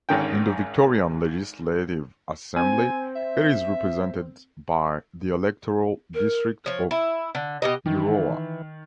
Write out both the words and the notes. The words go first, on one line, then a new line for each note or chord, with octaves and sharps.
In the Victorian Legislative Assembly, it is represented by the Electoral district of Euroa.
G#1 G#2 D3 D#3 C#4 G5
C4 G#5
E5
A#4
F3 C#5
E4
D3
B2 G4 D#5
D#3 E3